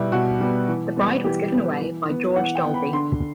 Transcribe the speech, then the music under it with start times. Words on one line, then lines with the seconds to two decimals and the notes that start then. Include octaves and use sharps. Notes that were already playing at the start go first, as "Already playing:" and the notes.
The bride was given away by George Dolby.
Already playing: B2 G3 B3 E4
0.12 B2 F#4
0.40 G3 B3
0.68 E3
0.96 G3 B3
1.24 E3 G4
1.52 G3 B3
1.81 E3
2.09 B3
2.36 E3 F#5
2.55 G5
2.64 B3
2.74 B5
2.93 D3 C6